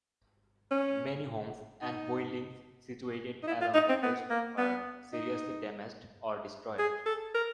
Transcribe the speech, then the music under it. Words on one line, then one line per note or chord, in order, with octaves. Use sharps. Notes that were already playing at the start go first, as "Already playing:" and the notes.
Many homes and buildings situated along the coast were seriously damaged or destroyed.
C#4
D#4
D#4
E4
F4
D#4
C4
B3
A#3
B3
D#4
G#4
A4
A#4